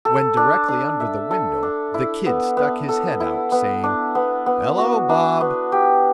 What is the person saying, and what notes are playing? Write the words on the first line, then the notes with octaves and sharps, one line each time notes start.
When directly under the window, the "Kid" stuck his head out, saying: "Hello, Bob!"
A4
D4
D4
E5
A4
D4
E4
B3
B3
A4
E4
B3
D4
B3
B3
F#4
D4
B3
G4